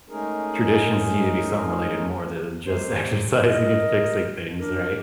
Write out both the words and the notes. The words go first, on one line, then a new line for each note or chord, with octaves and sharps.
traditions need to be something related more to than just exercising and fixing things, right?"
G#3 A3 C#4 D#4 G#4 A#4
F#3 G#3 C4 G4 C5
A#4 D#5
D4 A#4